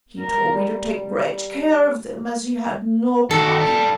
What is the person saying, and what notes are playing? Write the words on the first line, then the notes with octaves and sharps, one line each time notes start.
He told me to take great care of them as he had no copy.
A#4
G3
D#3 F#4 A4
G3 A5